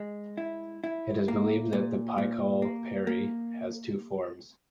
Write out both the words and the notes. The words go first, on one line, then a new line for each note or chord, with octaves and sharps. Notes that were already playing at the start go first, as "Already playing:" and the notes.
It is believed that the Pichal Peri has two forms.
Already playing: G#3
E4
E4
A#3
A#2
A#2
A#3
A#3